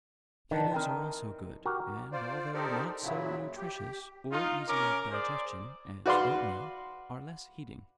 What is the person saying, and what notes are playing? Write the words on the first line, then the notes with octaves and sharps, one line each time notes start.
Potatoes are also good, and although not so nutritious, or easy of digestion, as oatmeal, are less heating.
D#3 D4 B4
E3 C4 D#4 A#4 G5
F#4 G4 A#4
F4 C5 D5
D#4 G4 A4 A#4 C5 D5
A#2 C#3 F#3 E4
G4
D#4 F4
C#4 A#4 D6
G#4 C5 D5
F#4 B4 D5 F5 C6